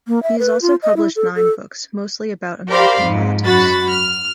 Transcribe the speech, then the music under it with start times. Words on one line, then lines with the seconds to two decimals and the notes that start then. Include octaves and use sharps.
He has also published nine books, mostly about American politics.
0.08 A#3
0.23 E5
0.39 B4
0.62 F4
0.83 D#5
0.97 E4
1.16 A4
1.36 A4
2.70 G4 A#4 C5 D5 F5 B5
3.00 F2 G#2
3.43 F#2 F#4 B5 A6
3.89 F6